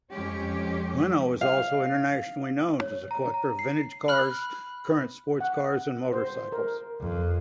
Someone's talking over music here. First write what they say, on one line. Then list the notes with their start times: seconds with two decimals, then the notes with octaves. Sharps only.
Leno is also internationally known as a collector of vintage cars, current sports cars and motorcycles.
0.10 F2 G#3 C#4 G4
1.41 F5
2.81 C#5
3.11 A#5
3.34 A#5
3.59 C7
4.08 B5 F6 F#6
5.41 F#5
6.13 C5
6.52 A#4
7.00 F2